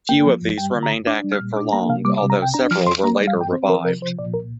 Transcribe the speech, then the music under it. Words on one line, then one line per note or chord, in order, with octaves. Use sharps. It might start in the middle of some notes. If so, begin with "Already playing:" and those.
Few of these remained active for long, although several were later revived.
A#3 G5
F3
G2
G3 G5
D3
A#5
G2
D4 D6
G3
F6
A#2
D4 D6
A#3 A#5
C3 F5
G3 D6
D6
C3
A#5
C2 G5
D4 A#5
F3 F6
F2 C6
A#3 A#5
D5
G3
F5
G2 G5
C4 C5
F3 A#4
C3 A#4
F3 C5
A#2 D5
C2 A#4